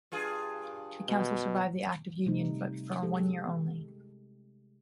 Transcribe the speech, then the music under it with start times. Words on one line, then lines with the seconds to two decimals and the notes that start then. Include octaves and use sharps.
The council survived the Act of Union but for one year only.
0.12 G2 F4 G#4
1.09 B2
2.26 C3 G3 A3 D#4
3.02 G#3 G4 A4